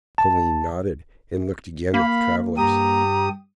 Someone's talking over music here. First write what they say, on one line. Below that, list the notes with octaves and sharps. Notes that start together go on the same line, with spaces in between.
Toline nodded, and looked again at the travelers.
A5
A#3 F5 B5
G2 G4 A#5 D#6